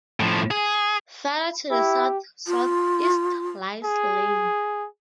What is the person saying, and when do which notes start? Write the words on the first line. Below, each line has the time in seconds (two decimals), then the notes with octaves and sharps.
Farther to the south-southeast lies Lane.
0.20 A2 F3
0.51 G#4
1.71 E4 G4
2.47 F4
3.85 G#4